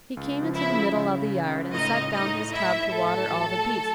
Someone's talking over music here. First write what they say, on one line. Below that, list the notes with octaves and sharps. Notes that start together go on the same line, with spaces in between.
He came into the middle of the yard, and set down his tub to water all the beasts.
C#2
F3
E4 E5
C#3
C#3
C#2
C#2
A2 D#4 D#5
A2
D#4 D#5
A2
A2 E4 E5
A2
A4 A5
A2
F#3
A3